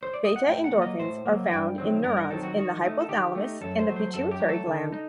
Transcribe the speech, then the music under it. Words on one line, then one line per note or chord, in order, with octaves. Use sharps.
Beta-endorphins are found in neurons in the hypothalamus and the pituitary gland.
C5
D5
D#5
F#5
A2 G5
F#5
F#3 A#3
D#5
A2 C5
F#3 A#3
G2 G5
D#3 F#3 C4
G2 A#4
A#4
D#3 F#3 C4 A4
F#4
D#3 F#4
A3 D#4
A4
D#3 G4
A3 D#4
F#2 A4
C5
F#3 A3
C5
F#2 A4
G4
F#3 A3
A4
D3
D#4